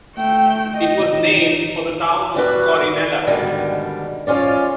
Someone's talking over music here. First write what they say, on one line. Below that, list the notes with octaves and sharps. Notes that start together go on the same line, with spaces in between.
It was named for the town of Corinella.
A3 G5
D#5
D#4
G3 F#4 B4
G#2 B2 D3 D#3 G3
F3 G#3 C#4 F4 D5